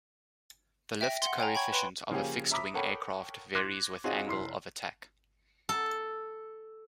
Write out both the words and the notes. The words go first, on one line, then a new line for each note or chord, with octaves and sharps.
The lift coefficient of a fixed-wing aircraft varies with angle of attack.
E5 G5 A#6 B6
F#5 C6
C#5 G5 G#5 A#5
G5 B5 C#6 G#6
B4 B5 C6 D7
C#3 F3 A#3 C#4 G4 G#4
E5 A#5 B5 D6 D#6 B6
A4 A#4 C#5 F#5 G5 B5
C6 D6 F#6 G#6 A#6
C4 D#4 F4 F#4 G#4 C#5
F1 E4 C6 C7
A4